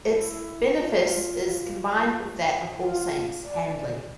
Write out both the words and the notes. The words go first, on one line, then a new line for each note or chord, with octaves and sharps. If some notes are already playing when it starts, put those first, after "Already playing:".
Its benefice is combined with that of All Saints, Handley.
E4
F4
F4
D5